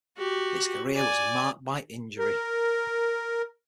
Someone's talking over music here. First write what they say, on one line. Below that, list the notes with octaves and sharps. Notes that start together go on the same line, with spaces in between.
His career was marked by injury.
F#4 G4
D5 G#5
A#4